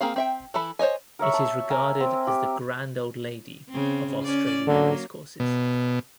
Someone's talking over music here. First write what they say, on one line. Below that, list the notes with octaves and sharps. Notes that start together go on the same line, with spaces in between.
It is regarded as the 'grand old lady' of Australian racecourses.
A#3 C4 G#4 F5
C4 E5 G5
E3 E4 A4 B5
C5 C#5 D#5 G#5
A#4 C#5 E5 C#6
A5
A#4 G#5
C4
G4
C#3 C4
C#4 D5
D3 F#3 A#3
B2